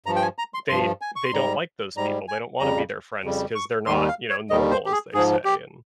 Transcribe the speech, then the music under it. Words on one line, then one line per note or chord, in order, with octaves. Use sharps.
they they don't like those people, they don't wanna be their friends 'cause they're not, you know, "normal," as they say and
G2 F3 A#5
G5
G#5
A#5
C6
G2 F3 C6
G#5
C#6
C6
G#2 G3 A#5
G#2 G3 A#5
G#5
F2 C#3 G3 A#5
F2 C#3 G3
C#6
D#2 D#3 G3 C6
F5
C#5
D#2 D#3 G3 D#5
C5
G4
G#4
G#2 F3 G#4
G4